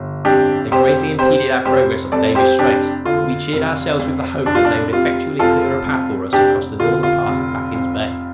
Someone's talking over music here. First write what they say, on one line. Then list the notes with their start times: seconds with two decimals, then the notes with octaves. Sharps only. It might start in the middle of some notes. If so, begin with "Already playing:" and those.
They greatly impeded our progress up Davis' Strait, but we cheered ourselves with the hope that they would effectually clear a path for us across the northern part of Baffin's Bay.
Already playing: G1
0.25 F2 D4 G4
0.71 F1 G4 C5
1.18 C3 G4 C5
1.65 F1 G4 C5
2.12 F2 A4 D5
2.35 G4 C5
2.59 F1 D4 G4
3.05 D3 F4
3.52 F1
3.99 F2
4.46 F1 D4
4.55 F4
4.65 D4
4.93 C3 F4
5.39 F1 F4 A4
5.86 F2
6.33 F1 D4 G4
6.80 D3 F4
7.03 F4
7.26 F1
7.73 F2